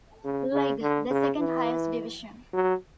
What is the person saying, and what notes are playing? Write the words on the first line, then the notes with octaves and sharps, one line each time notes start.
Lig, the second highest division.
C#3
C#3
D3
C#3
E3
F#3